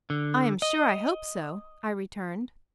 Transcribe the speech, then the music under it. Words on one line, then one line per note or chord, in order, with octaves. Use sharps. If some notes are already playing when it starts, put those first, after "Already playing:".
"I am sure I hope so," I returned.
D3
D#5